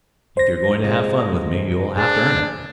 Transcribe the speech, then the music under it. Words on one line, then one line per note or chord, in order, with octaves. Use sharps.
If you're going to have fun with me you'll have to earn it.
C5 A#6
C3 G#3 F4
D4 G#4